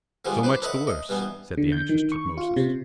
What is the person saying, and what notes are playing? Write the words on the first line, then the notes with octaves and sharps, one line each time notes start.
"So much the worse," said the anxious Tutmosis.
D3 F3 G3 G#3 B3
B4 C5 D5
A4 B4 C#5 D#5 E5 F#5
D#5
G2 B2 E3 B3
D3
G6
D#3
C#6
F4
C3